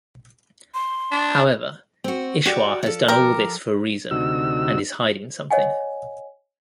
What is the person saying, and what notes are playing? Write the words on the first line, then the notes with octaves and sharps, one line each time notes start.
However, Ishwar has done all this for a reason and is hiding something.
C6
D4
C4 F#4
F#4 G4 D5
F3 A4
G4 A#4
D2 C3 D#4 F#4 E6
C#5 D#5 F#5 G#5